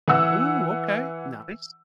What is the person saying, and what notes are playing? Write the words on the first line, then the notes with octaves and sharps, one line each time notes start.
Ooh, okay, nice.
E3 F#5 E6